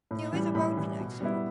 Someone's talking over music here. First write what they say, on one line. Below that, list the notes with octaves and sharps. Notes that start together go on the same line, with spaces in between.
There is a road connection.
A2
E3 G3
A2 B5
E3 G3
B2
G3 B3 E4